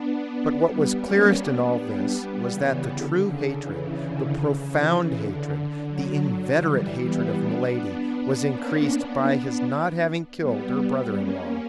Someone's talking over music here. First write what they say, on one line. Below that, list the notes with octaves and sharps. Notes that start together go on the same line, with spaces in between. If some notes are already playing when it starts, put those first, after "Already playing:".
But what was clearest in all this was that the true hatred, the profound hatred, the inveterate hatred of Milady, was increased by his not having killed her brother-in-law.
Already playing: B3 D4
B3 D4
G3 B3
A#3 C#4
B3 D4
G3 B3
G3 B3
C#3 E3
D3
C#3
C#3 E3
D3
C#3
C#3 E3
D3
D3
D3 F#3
D3 F#3
E3 G3
G3 B3
B3 D4
B3 D4
A#3 C#4
B3 D4
B3 D4
G3 B3
G3 B3
A#3 C#4